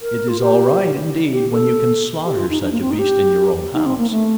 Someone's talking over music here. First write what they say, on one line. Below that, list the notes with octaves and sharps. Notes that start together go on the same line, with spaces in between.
It is all right indeed when you can slaughter such a beast in your own house.
A#4
F4
G4
G4
A4
G4
F4
D#4
D4
A#3
C4
D#4
G4
D#4
C4
A#3
A3